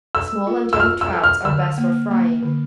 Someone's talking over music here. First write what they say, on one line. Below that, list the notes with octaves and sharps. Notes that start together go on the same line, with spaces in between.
Small and young trouts are best for frying.
A4 E6
F4
E6
F4 F6
E6
A4
F6
D3 E6
A#3
A#3
D3